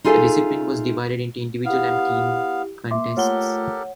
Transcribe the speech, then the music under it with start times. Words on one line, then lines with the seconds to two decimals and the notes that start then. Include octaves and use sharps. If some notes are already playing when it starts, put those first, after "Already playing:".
The discipline was divided into individual and team contests.
0.04 D#4 F4 G#4 A4 E5 F5
1.65 B3 E4 G4 F5
2.91 A#3 E5 C6 D6
3.17 A3 F4 G4 A4 A#4 C#5 F#5 G7